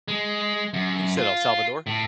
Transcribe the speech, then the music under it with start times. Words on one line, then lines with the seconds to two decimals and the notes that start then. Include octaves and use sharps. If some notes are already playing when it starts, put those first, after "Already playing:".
You said El Salvador?
0.08 G#3
0.74 F#2
1.17 F4
1.87 A2